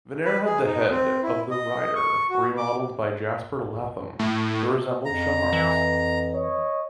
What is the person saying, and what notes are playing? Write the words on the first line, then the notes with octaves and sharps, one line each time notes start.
Vyner had the head of the rider remodelled by Jasper Latham to resemble Charles.
B4
G#4
D#4
C4
E4
D#5
C#6
F#4
D6
A2
F2 A#5
E3
C#5 D#5